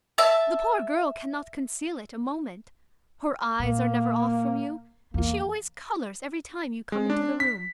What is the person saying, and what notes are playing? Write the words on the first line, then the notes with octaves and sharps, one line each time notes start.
The poor girl cannot conceal it a moment; her eyes are never off from you, and she always colours every time you come into the room.
E5 A5
A#2 A#3
E2 A#3
G#3
D4
B6